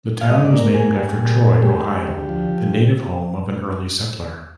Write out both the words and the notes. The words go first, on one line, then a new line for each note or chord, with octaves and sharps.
The town was named after Troy, Ohio, the native home of an early settler.
F5
G#2 D#5
D5
A#3
A#4
G#2 G#4
G3
A#2
A#2
G#3 G4
G#3
D2
F3